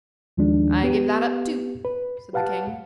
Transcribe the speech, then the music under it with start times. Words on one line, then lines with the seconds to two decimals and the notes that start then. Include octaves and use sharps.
"I give that up, too," said the King.
0.37 D#2 D#3 F3 G#3 D4
0.83 B3 G4 B4
1.84 B4
2.33 G4 B4 F5 F#5 A5